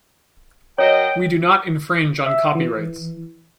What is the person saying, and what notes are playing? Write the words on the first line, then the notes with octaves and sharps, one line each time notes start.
We do not infringe on copyrights.
F#3 A#4 C#5 D#5 G5
E5
E3